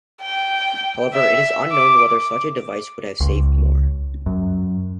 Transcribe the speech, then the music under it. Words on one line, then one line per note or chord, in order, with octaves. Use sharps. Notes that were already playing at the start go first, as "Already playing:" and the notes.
However, it is unknown whether such a device would have saved Moore.
G5
E5
D6
C#2
F#2